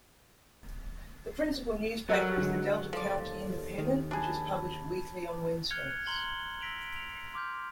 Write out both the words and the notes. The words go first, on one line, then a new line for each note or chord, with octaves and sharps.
The principal newspaper is the "Delta County Independent", which is published weekly on Wednesdays.
F#3 A4 A#4 F#5
D3 G#3
D#2 F3 A4 D5
D#3
D4 G#4 A5 B5 G#6
F6 F#6 G#6 C#7 F7 G7
A#5 C6 F#7 G7
E6 A#6 B6 D7 F7 F#7
F7
C6 D6 F6 G6